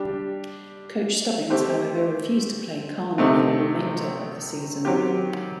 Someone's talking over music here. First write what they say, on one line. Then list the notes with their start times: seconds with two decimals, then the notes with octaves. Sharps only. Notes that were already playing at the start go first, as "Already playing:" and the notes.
Coach Stubbins however refused to play Carney for the remainder of the season.
Already playing: G3 D4 G4
1.50 A3 C4 G4 C5
3.18 C3 D#3 A3 C4 D#4
4.85 D#3 F#3 C4 G4